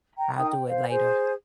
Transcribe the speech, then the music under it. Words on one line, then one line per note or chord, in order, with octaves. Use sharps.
I'll do it later."
G5 A#5
D#4 A#4 G5 D#6
G5
C5 F5
G#4 C5 G#5